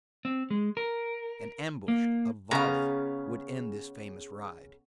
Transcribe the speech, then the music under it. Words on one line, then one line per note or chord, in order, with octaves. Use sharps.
An ambush, a volley, would end this famous ride.
C4
G#3
A#4
A#3
C#3 B3 C#4 F5 A#5